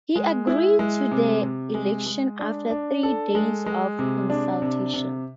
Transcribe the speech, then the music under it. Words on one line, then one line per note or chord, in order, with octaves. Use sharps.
He agreed to the election after three days of consultation.
G#3
E4
G#3
C3
C3
G#3
G#3
D4
D4
A4
G#3
G#3
C3
D4
C3
C3